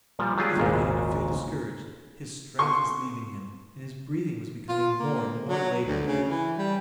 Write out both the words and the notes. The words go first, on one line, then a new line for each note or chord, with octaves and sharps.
He was beginning to feel discouraged, his strength was leaving him, and his breathing was becoming more and more labored.
A#2 F3 G3
F#3 F4 G4 G#4 D5
G#1 D#2 A#2 C#3 G#3
C6 C#6
F4
A#3
F#3
D2
C#3
E3
G3